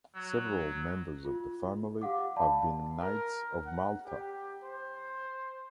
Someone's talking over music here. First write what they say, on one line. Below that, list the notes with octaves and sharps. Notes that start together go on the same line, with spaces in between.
Several members of the family have been Knights of Malta.
F#3
F4
G4 F5 F#5 D6
D5 F5 A5 B5
A#4
F#5
G4
C5